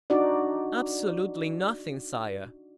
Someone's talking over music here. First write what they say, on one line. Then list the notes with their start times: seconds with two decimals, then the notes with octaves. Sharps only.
"Absolutely nothing, sire."
0.10 D4 D#4 F#4 D5